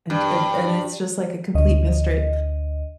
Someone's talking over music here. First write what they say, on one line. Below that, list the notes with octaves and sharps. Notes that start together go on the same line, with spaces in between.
and and and it's just, like, a complete mystery,
G2
D2 D#5